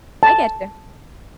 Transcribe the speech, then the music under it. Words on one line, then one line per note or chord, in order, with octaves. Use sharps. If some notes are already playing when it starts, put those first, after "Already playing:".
I getcha.
A5